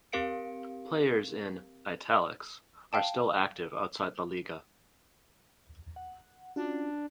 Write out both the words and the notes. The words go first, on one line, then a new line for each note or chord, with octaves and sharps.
Players in "italics" are still active outside La Liga.
C4 G4 A#4 F5 C#7 D7
F5 G5 A5
F#5
C#4 D4 F4 F#4